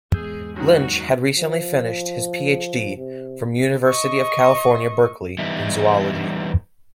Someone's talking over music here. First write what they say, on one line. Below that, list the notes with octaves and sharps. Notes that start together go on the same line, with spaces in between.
Lynch had recently finished his Ph.D. from University of California, Berkeley in Zoology.
E2 G#2 G#4 E6 G6
F#2 D#3 F#4
F3
C3
D#5 C#6
E3 G3 B3 D#4 E5